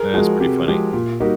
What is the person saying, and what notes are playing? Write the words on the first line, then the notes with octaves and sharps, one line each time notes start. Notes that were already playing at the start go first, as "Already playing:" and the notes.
That's pretty funny.
Already playing: G#4 A#4
F3 G#3 F#4 G#4
C3 G4
F3 G#3 G4
A#2
G3 A#3 D#4 F#4 G4